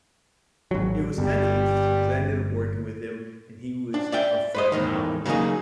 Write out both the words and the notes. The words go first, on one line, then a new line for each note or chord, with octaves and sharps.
it was, kinda, interesting 'cause I ended up working with him, and he was a phenomenal
G#1 F#3
G1 G3
D4
D5 E5 G5
B4 C5 D#5
E2 A2 D#3
C#3 F#3 A#3 D#4 G#4